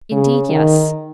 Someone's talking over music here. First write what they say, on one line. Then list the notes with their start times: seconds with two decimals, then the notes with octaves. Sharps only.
'Indeed, yes.
0.11 C#3
0.49 D#3